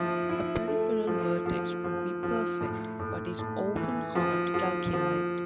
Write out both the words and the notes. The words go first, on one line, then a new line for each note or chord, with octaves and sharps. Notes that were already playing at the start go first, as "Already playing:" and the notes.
A peripheral vertex would be perfect, but is often hard to calculate.
Already playing: F3 E4
E4
A3
F3
F3
F3
F3
A2
A2
A2
E3
F3
F3
F3